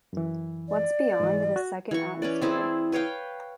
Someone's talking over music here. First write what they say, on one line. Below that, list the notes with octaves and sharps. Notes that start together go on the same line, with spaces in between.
What’s beyond this second atmosphere?
F#2 E3
D5
G#2 E3
F#4
E3 C#6
C#4 B4 D5
C4 E4 G#4 A5
B4 C#5 F5 G5